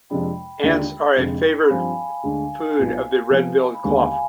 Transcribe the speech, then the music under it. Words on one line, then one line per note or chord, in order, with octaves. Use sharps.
Ants are a favoured food of the red-billed chough.
F2 C3 F3 G#3 D4 G5 B5
D#2 D3 G#3 D4 F4
F1 F2 D3 G#3
B5
G2 F3 C4 G4 C5 F5 G#5
D2 D3 G#3 D4
B1 B2 B3 F4
C3 F3 B3
B5
D#2 D3 G#3 B3 F5 G#5
F5 G#5